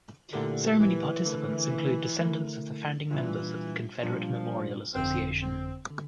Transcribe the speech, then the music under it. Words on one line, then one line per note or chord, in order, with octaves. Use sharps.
Ceremony participants include descendants of the founding members of the Confederate Memorial Association.
A#2 D3 A3 E4 G4 A#4
E3
D3 A3 E4 A#4
D3 A3 E4 A#4
A#2 E3 G3 D4 F4
A#2 F3 G3 D4 F4
G1 F2 D3 C4
C4
D3